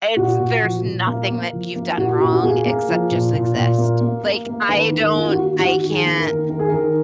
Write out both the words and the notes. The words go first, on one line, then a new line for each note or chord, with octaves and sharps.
It's there's nothing that you've done wrong except just exist, like, I don't I can't
A#2 F#4
A#2
F3
A#2
A#3
A#3
F3
A#3
A#2 F#4
F4
A#2 F#4
F#4
A#3 G#4
A#3
F3
A#2
A#2
A#2
A#3
A#3
A#3
A#3
D#3 B4
D#3
A#4
A#3 F4
F#4
D#3
D#3 F#4
D#3
G#4
A#3
A#4
D#3
D#3 A#4
G#4
D#3 A#4